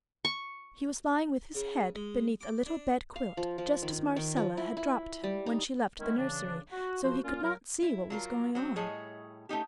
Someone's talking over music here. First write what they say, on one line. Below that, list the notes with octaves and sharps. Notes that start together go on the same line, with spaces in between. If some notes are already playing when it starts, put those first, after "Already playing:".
He was lying with his head beneath a little bed quilt, just as Marcella had dropped him when she left the nursery; so he could not see what was going on.
C#6
C#3
G#3
D6
D4
F5
F3
F3
D#3
D#3
F3
E4
E4
G3
D#4
D#3 G#3 A3 B3 C#4 E4
C#3 E3 D4
F#4
F3 F#4 C5
A#2 A#3 C#4 F4
F#3 A#4
E4
F#3 F4 A#4
F#3 C4
A2 G3 G#4 C#5 D#5
A3 C#4 D#4 G4